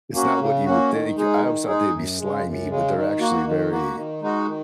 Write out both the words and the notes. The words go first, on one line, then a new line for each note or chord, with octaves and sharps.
it's not what you would think, I always thought they'd be slimy, but they're actually very,
A#3 C#4 F#4
C#3
A#3 C#4 F#4
D#3
G#3 D#4 G#4
D#3
G#3 D#4 G#4
F#2
C#3 G#3
F#2
C#3 G#3
D#3
A#3 F#4
D#3
A#3 F#4
D#3
G#3 D#4 F#4
D#3